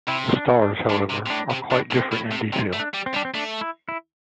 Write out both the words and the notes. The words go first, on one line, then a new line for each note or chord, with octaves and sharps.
The stars, however, are quite different in detail.
C3 E4
C4
D4
D4
A2 D4
C3
C3
A2 D4
C3
A2 D4
A2
C4
A2
A3
C3
C3 C4
A3
D4
G3
C4
G3 D4
C4
A3 D4
E4
E4